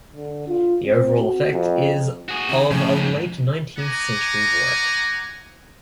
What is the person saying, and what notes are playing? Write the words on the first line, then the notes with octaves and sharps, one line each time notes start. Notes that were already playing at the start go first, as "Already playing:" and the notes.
The overall effect is of a late-nineteenth-century work.
D3
F4
C4
F#4
F2
F#4 G#4
C3 D#3
A2 C#3 F3 C#4
D#2 G#2
D#5 F#5 G#5 A#5 D6